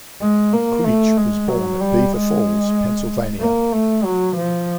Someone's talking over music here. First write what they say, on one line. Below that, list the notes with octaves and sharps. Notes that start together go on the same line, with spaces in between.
Creach was born at Beaver Falls, Pennsylvania.
G#3
A#3
A3
G#3
F#3
G3
G#3
A#3
A3
F#3
F3